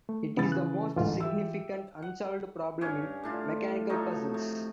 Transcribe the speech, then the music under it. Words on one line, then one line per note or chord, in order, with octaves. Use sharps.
It is the most significant unsolved problem in mechanical puzzles.
A3
C#3 E3 B3 A6
F#6
A1 D2 G#2 E3 F4
G4 E5 E6
F#5
G2 C#4 C#5
A2 D4 F4
F3 F#3 A3 D#4
C3